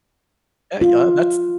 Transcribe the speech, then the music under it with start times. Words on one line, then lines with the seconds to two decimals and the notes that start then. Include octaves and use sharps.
A yeah, that's
0.81 F4